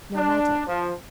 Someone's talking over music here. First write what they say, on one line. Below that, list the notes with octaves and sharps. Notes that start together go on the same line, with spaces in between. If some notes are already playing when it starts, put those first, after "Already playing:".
"No matter."
D4
F3